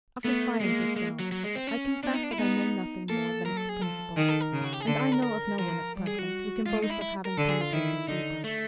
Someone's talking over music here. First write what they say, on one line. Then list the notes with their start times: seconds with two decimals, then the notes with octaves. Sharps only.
Of the science itself, I confess that I know nothing more than its principle; and I know of no one at present who can boast of having penetrated deeper.
0.24 A3 B3
0.60 G#3 A#3
0.96 G#3
1.20 F#3
1.32 F#3
1.44 G#3
1.55 C4
1.67 C#4
2.03 B3 D4
2.13 D#4
2.23 D4
2.31 E4
2.38 B3 D#4
3.10 A#3 A4
3.45 F#3 A#4
3.57 A4
3.69 G#4
3.81 F3 A4
4.16 D#3 G#4
4.29 A4
4.40 A#4
4.53 C#3
4.64 F#4
4.73 G4
4.80 G#4
4.87 D3 A4
5.00 A4
5.12 A#4
5.23 A#4
5.59 F3 A#4
5.95 G3
6.07 G#4
6.19 F#4
6.66 G#3 F4
6.84 D#4
6.90 E4
7.02 E4
7.25 A#4
7.37 D3 A4
7.49 G#4
7.61 F4
7.73 D#3 E4
8.09 D3 D#4
8.44 A3